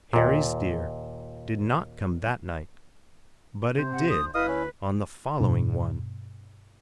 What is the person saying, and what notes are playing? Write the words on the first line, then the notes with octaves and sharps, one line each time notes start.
Harry's deer did not come that night, but it did on the following one.
D#2 A#2
C3 C5
F#5
D2 D#6
F#1 E4 B4 D#5 F5 D#6
D2 C#4
G2 B2 D4